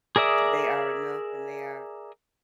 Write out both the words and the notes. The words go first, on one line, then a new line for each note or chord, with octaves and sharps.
they are enough and they are
G#4 A#4 D5 E5 D#6